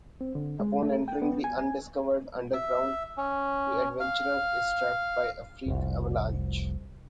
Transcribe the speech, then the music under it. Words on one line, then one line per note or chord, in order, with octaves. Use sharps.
Upon entering the Undiscovered Underground, the adventurer is trapped by a freak avalanche.
C4
D3
G#3
A3
G5
B3
G#5
G#5
E5
C#4
F5
F1 C2